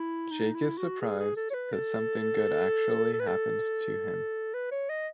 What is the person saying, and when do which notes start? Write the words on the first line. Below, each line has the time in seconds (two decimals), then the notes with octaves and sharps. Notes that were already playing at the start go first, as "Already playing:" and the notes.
Jake is surprised that something good actually happened to him.
Already playing: E4
0.31 D#4
0.55 E4
0.78 F#4
1.01 G#4
1.19 G#4
1.36 A4
1.50 C#5
1.54 B4
1.72 A4
3.13 A4
3.20 B4
3.27 A4
4.54 B4
4.72 C#5
4.89 D#5